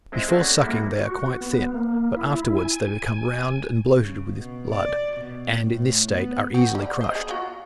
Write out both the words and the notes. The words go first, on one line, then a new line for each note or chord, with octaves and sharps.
Before sucking they are quite thin, but afterwards they become round and bloated with blood, and in this state are easily crushed.
G#3 C4 E4 G#4 D#5 G5
A3 C#4 D4 F#4 G#4 A4
G3 G#3 A#3 E4 F#4
F#4
B3
A#3
E4
G#5
C#3
B2
D5
B2
A2
B3
C4 F#4
D3
C5 D#5
G#4
F4 F#4